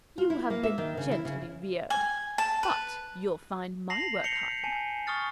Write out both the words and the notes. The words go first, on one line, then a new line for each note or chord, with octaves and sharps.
You have been gently reared, but you'll find my work hard enough.
F4
E4
A#3
E5
D#3
C#3
E4
C#3
G#5
A5
B4
A5 A#6 C7 F7 F#7
G6 A#6 B6 C#7 F7 G7
G#5 A5
C#6 D#6 F6 A6 C#7